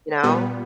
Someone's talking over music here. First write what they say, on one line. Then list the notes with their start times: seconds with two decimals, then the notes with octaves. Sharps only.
you know?
0.23 A#2 G3 B3